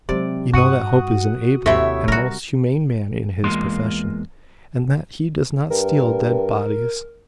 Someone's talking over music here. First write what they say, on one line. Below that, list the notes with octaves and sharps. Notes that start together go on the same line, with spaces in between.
You know that Hope is an able and most humane man in his profession, and that he does not steal dead bodies.
C3 F#3 G#3 D5
G2 F#4 F#5 D#6
D#2 C3 A3 E4 C#5 E5
G3 C4 F#4 A#4
E2 G#3 A#3 F4 C6
G2 A#4